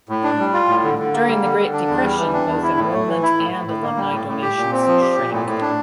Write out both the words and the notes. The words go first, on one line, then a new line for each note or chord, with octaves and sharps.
During the Great Depression, both enrollment and alumni donations shrank.
A2
D4
G3
F4
A2
D3
D3
A#3
G3
D3
D3
D4
E2
G3
E3
D4
E2
E4
A2
A3
E3
E4
A2
A2
A2
A#3
G3
A2
A2
G4
A#2
C4
F3
G4
A#2
A2
A2
D4